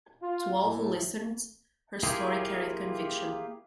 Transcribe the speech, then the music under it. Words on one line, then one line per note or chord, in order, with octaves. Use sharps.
To all who listened, her story carried conviction.
F4
A2
A#3 E4 F4 G4 G#4